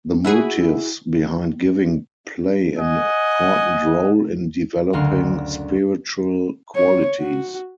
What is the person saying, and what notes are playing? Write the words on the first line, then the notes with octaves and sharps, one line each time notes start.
The motives behind giving play an important role in developing spiritual qualities.
E4 F#4 G#4
D#5 F#5 G#5
F#1 D2 D3 C6 F6
C#5
F#4